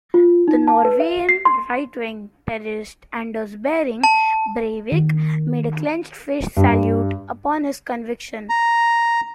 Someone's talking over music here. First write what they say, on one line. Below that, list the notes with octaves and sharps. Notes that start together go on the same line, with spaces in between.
The Norwegian right-wing terrorist Anders Behring Breivik made a clenched-fist salute upon his conviction.
F4
D#4
A5
B4
E5
C7
C6
A5
D#3
G2
A#5